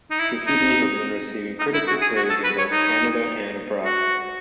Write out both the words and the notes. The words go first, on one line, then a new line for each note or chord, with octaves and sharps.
The CD has been receiving critical praise both in Canada and abroad.
D#4
E4
D#4
D#4
E4
F#4
G#4
F#4
A4
B4
C#5
D#4
F#4